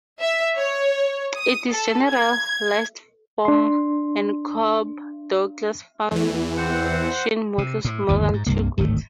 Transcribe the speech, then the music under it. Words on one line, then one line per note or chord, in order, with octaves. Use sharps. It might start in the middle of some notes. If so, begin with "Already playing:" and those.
In its generalized form, the Cobb-Douglas function models more than two goods.
E5
C#5
D#6
A4
G#6
D4 C6
E2 E3
C4 C5 F#5
C3
A2
G1 D#2 E3
G#2
C2 G2 C3 A#3
D1 G#1 D#3 A3